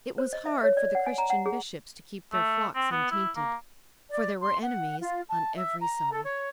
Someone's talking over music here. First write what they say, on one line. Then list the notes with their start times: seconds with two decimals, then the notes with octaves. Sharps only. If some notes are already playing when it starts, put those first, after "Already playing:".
It was hard for the Christian bishops to keep their flocks untainted, for there were enemies on every side.
0.18 C5
0.33 D#5
0.46 E5
0.63 C#5
0.77 D5
0.95 F#5
1.06 G#5
1.18 A#5
1.30 F#5
1.46 G#4
2.33 A3
2.75 C4
2.91 B3
3.11 E4
3.36 A#3
4.11 D5
4.41 C6
4.63 F#5
5.00 F4
5.28 A5
5.56 E5
5.81 A#5
6.11 A4
6.24 C#5